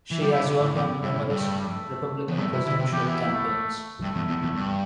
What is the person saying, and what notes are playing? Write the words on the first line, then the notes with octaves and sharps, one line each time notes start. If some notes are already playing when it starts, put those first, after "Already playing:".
She has worked on numerous Republican presidential campaigns.
E3
G3 G4
D3 E4
D3 D4
E4
A2
E2 G4
G2 E4
C3
A2
G2 A3
A3
G3
A3
E2
G2 A3
C3 E4
D3 E4
C3 E4
E2 G4
E4
E4
A3
G2 A3
E2
E2
E2
G2